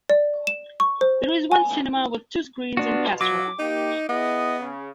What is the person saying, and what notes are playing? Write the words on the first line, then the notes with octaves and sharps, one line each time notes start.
There is one cinema with two screens in Castrop.
D5
E7
C#6
C5
G#5
B2 B3 D4 F4 F#4
F#3 D6
A#3 D#4 G4
B3 E4 G#4 D#5
C#3